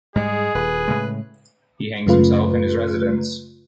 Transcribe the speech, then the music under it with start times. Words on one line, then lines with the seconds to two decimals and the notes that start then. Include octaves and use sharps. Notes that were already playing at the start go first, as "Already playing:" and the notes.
He hangs himself in his residence.
0.16 G#2 G3 G#3 G#4
0.55 D#1 B4
0.88 A2 C#3 G#3
2.06 F#2 C#3 A3 F4 B4